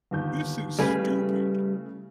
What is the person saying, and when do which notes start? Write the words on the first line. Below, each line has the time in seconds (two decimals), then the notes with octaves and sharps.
this is stupid.
0.11 G1 D#2 G6
0.79 C#3 G3 A3 E4 G#4 B4